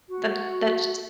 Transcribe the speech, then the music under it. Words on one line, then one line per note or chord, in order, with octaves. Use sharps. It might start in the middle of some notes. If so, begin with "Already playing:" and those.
That that's just
F#4